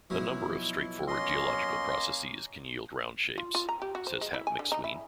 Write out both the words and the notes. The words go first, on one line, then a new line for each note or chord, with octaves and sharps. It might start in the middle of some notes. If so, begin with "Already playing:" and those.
"A number of straightforward geological processes can yield round shapes," says Hap McSween.
B2 F3 F#3 E4
A#3 C#4 D#5 C6
F4
F4
A#5
G4
F#4
C5
G#3
E4
G#5
D3
D#4
E4